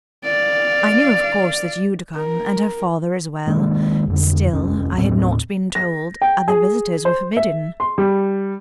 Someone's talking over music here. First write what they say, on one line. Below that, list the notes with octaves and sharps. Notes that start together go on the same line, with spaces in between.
I knew of course that you'd come, and her father as well; still, I had not been told other visitors were forbidden.
D5 F5
A#4
D#3 G#3 A#3 D4
C2 F2 D3
F1 C2 C#4
D#2 A2 B3 C4
A#6
G5
G#4
C5
E5
C6
G3